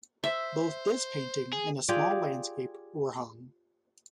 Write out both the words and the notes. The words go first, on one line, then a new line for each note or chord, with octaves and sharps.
Both this painting and a small landscape were hung.
C5 E5
G#4
F4 G4 G#4 D5